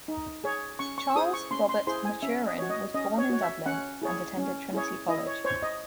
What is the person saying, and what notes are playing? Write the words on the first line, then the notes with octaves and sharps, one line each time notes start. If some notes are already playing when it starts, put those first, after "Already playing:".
Charles Robert Maturin was born in Dublin and attended Trinity College.
D#4
G#4 C#5
C#4 C#6
C#6
E6
E4 G#4 C5 D#6
C#6
C#4 C6
C6
E4 G#4 C5 C6
G#5
C#4 E5
D#5
F#4 C#5
D#5
C#4 D#5
C#5
F#4 C#5
E5
C#4 F#5
E4 G#4 C#5
C#4
E4 G#4 C#5
E4 D#5
C#5
C5 C#5
D#5